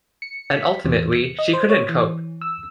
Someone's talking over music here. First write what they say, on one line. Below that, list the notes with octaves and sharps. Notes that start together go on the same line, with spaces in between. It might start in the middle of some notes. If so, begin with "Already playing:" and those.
And ultimately, she couldn't cope.
C#7
B6
E2
C#7
D#5
C5
C#5
E3
E6